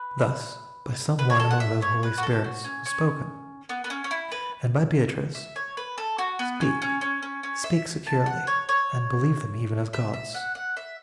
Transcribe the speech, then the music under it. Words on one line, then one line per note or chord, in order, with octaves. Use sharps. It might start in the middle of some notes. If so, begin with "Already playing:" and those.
Thus by some one among those holy spirits Was spoken, and by Beatrice: "Speak, speak Securely, and believe them even as Gods."
Already playing: B4
B4
C#5
A4
F#5
E5
C#5
B4
F#4
A4
F#4
C#4
C#4
B3
B3
C#4
C#4
E4
B4
E5
C#5
B4
A4
F#4
B3
C#4
C#4
C#4
C#4
C#4
E5
A5
F#5
C#5
C#5
E5
E5
F#5
F#5
E5